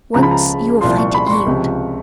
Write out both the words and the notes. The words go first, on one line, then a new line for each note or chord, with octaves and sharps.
Once you will find it yield.
C#2 C#3 F3 A#5
B5
A#5
C2 A#2 F3 C6
C#6
B5
C6
C#6
C#2 C3 F3